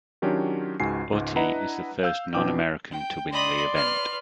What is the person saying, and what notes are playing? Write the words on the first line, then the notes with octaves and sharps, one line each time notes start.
Autti is the first non-American to win the event.
D#3 F#3 C#4 D4 F4 G4
C#2 G#2 F#4 G#5 C7
C#2 G#2
D4 E4 B4 D#5 F#5 A#5
F5 E6 G6
B2 E3 D4 G5 D6
G5
D5 D#5 B5 C6
B4 F6